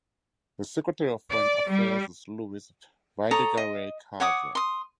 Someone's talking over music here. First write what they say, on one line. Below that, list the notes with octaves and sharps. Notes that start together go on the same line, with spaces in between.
The Secretary of Foreign Affairs is Luis Videgaray Caso.
D5
G3
A4 C#5 A#5 D#6
D#5
C#5 F#5 D6 D#6
C6 D#6